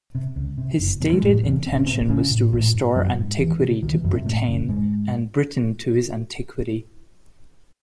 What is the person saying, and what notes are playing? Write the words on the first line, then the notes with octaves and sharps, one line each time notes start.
His stated intention was to "restore antiquity to Britaine, and Britain to his antiquity".
C3
C#2
C3
F#1
E2 C3
G#3
F#1 A2 A3
E2 C3
A1 C4
C#4
A2 C3 C4
A1 C#3 C#4
A2
A1 A2 A3
G#2
A1 F#2 F#3
G#2
C#2 E3
C3
C#2 D#3
E3
F#2 C3 F#3
C3 C4
F#1 A2 A3
F#2 C#3
F#1 G#2 G#3